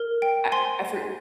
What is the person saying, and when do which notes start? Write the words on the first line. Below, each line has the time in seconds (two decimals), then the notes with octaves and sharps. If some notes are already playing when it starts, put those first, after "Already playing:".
I I for
Already playing: A#4
0.22 G5
0.52 C5 G#5 C6